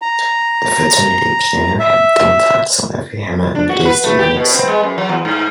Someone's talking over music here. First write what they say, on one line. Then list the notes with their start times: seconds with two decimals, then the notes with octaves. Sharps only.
The fraternity piano had thumbtacks on every hammer and produced a unique sound.
0.02 A#5
1.80 E5
3.55 D4
3.69 F#4
3.85 B4
4.04 A3
4.19 G4
4.36 B2
4.54 C4
4.68 G#3
4.83 F#2
4.98 F#3
5.09 E2
5.25 G#2